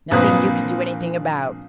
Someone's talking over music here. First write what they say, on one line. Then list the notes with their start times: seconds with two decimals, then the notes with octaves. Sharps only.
Nothing you can do anything about.
0.11 A#1 A#2 C4 B4 D#6